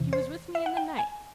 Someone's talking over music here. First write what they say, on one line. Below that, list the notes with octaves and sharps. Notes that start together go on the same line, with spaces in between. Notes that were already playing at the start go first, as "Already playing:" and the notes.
She was with me in the night.
Already playing: E2 C3 E3
C5
E5
F#5
G5
G#5